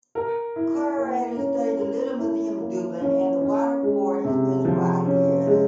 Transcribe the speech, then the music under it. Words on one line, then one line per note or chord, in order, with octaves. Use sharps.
Curators studied the Little Museum of Dublin and the Waterford Experience for ideas.
A#4
E4
A#3
C#4
A#4
E4
A#3
C#4
C#4
G#3
C3
F3
C#4
G#3